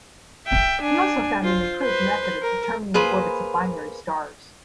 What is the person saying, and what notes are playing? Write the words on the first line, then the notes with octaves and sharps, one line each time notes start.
He also found an improved method of determining the orbits of binary stars.
E5 G5
D4 G#5
F4 C5
B4 C5
A#4
A#3 G#4 B4 C5